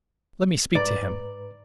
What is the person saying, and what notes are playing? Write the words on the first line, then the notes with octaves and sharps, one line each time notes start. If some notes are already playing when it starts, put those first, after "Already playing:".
Let me speak to him.
G#2 B4 D5 A#5